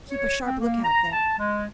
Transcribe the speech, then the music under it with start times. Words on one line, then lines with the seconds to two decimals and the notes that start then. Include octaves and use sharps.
Keep a sharp lookout there.
0.09 C#5
0.45 C4
0.60 A#3
0.84 A#5
1.12 A5
1.38 G#3